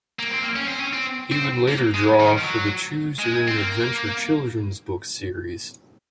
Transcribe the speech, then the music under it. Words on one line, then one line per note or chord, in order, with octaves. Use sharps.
He would later draw for the Choose Your Own Adventure children's book series.
A#3
C4
A#3
C#4
C4
C#4
C4
C4
A#3
G#3
D#3
F3
F#3
G#3
C4
A#3